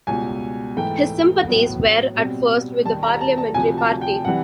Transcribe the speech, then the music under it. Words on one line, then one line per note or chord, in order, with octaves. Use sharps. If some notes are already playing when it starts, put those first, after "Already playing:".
His sympathies were at first with the parliamentary party.
C#2 B2 G3 G#5
G#2 E3 A3 G5
A2 F#3 B3
B2 G3 C4
D#2 D#3 G3 A5
A#5
A5
A5
D2 C3 F3 G#5
A5
G5
C3 E3 G3 F#5